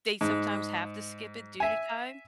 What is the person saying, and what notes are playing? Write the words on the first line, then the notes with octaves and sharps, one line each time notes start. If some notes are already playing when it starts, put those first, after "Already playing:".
they sometimes have to skip it due to time.
G#2
E5 G#5